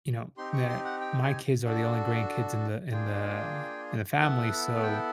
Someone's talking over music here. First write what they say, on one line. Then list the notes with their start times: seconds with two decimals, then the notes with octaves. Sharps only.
you know, that my kids are the only grandkids in the in the uh, in the family, so,
0.37 C4 D#4 G4 C6
0.53 C#6
0.69 C6
0.85 F#5
1.01 G5
1.22 G#5
1.65 D4 F#4 A4
2.91 A#3 D4 F4 G#4 G5
4.19 B3 E4 A4 F#5
4.83 G5